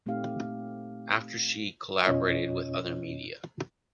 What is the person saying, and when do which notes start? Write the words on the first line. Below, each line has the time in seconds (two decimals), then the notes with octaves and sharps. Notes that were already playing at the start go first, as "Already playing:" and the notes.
After she collaborated with other media.
0.06 A#2 A3 C4 D#4 G4 F5
2.05 F2 B2 C#4 F4 C#5 D#5